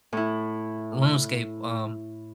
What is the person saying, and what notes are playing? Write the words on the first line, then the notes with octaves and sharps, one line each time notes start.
RuneScape, um
A2 E4